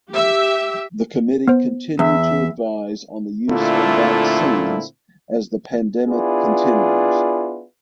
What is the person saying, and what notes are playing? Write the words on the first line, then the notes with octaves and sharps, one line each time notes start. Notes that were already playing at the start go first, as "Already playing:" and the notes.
The Committee continued to advise on the use of vaccines as the pandemic continues.
G4 E5
B3 C5
E2 E5
A#2 D3 A3 C4 E4 F4
B3 D4 E4 F4 G#4